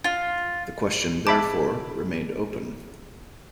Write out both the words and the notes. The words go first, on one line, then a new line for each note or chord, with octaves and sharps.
The question therefore remained open.
F4
E5 A5 B5 D6